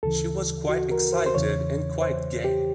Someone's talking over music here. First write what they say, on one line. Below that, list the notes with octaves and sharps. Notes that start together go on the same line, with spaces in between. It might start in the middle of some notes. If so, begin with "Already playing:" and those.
She was quite excited, and quite gay.
D2 C#3 E3 A4
F#4
A#4
C5
C5
E2 C#3 E3 C#5
C5
G4